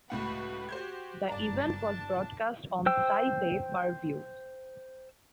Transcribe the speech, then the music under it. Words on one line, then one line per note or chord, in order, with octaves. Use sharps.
The event was broadcast on Sky Pay per view.
C#2 A2 F#4 B4 F#5
F#4 G4 C5 G6 G#6
F#1 G2 D4 D5 A5 A#5
C5 G5 E6